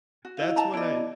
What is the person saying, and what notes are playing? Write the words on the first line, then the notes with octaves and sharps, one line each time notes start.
That's when I y
F#4
E4 D#5 F5
A5 A#5
B3 E4 D5 D#5